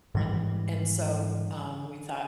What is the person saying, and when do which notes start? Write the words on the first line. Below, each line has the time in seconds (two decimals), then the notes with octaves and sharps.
and and so, um, we thought,
0.15 G#2 E3 G3